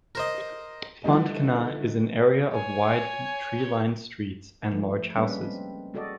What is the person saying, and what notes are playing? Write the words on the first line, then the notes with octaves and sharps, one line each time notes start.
Pontcanna is an area of wide tree-lined streets and large houses.
A#4 C5 D#5
D3 E3 F3 G3 A3 D#4
C#5 G#5
F3 A3
G3 G#3 A#3 C#4 D4 B4
C4
G#3 F#4 A4 D5 D#5